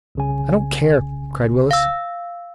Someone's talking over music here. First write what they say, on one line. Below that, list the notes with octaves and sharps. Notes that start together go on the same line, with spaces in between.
"I don't care!" cried Willis.
C2 C#3 G#5
F5 E6